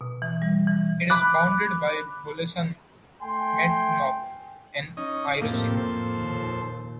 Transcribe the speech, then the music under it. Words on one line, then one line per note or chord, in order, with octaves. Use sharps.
It is bounded by Bulusan, Matnog and Irosin.
B2
E3
G3
E3
B5 D6 F#6
A3 G5 G#5 C6
C#4 D#4 D#5
F2 A2 A#3 C4 G4 A4
F2 A2 A4 C5
D#2 A#2